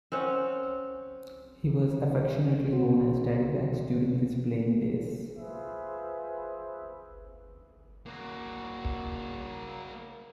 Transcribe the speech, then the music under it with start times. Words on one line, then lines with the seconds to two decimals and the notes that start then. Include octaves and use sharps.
He was affectionately known as "Daddy Wags" during his playing days.
0.12 C4 C#4 F#5
2.73 F#4
5.36 F4 G#4 B4 C5 E5
8.06 A#3 F#4